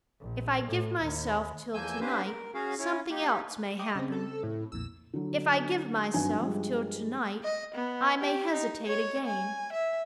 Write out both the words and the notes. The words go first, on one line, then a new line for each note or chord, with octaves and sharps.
If I give myself till to-night, something else may happen. If I give myself till to-night, I may hesitate again.
A#1
A2
D#2
E2 F3 A#3 G#5 E6 G6
A#3 C#4 D4 G4 B4 C5
A#4
C#4 F#4 G#4 F5
C#4 E4 C#5
A#3 D#4 G4
D#5 G5 D6
C#3 C4
A4
A2
B1 F2 A#2 E6
D3 F#3
G#1 G2 F#3 D4 G#5
G2 F3 G3 G#3
D#5
B3
G4
D#4
C#5
G#5
E5